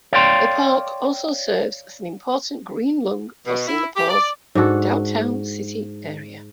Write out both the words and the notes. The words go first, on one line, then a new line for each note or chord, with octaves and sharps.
The park also serves as an important green lung for Singapore's downtown city area.
C#5 D5 F5 G5 G#5 C6
B2
E4
G4
D5
G#2 D4 F#4 A4